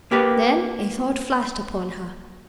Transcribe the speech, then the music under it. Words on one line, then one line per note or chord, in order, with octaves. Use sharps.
Then a thought flashed upon her.
A#3 G4 B4